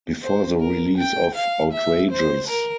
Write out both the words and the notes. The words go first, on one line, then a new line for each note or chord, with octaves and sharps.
Before the release of Outrageous!
C5
A#4
G5
F5
E5
C5
A#4